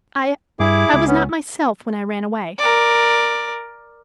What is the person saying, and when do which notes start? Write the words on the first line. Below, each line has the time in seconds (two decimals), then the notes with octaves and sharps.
I--I was not myself when I ran away.
0.60 G2 E4 G#4 D6
0.93 C#2
1.07 B3 C#4
2.58 A#4 D5